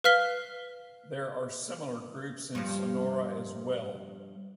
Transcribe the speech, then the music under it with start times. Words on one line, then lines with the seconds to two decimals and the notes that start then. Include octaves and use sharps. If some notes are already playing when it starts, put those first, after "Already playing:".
There are similar groups in Sonora as well.
0.04 B4 F5 F6 B6 G7
2.55 G2 F3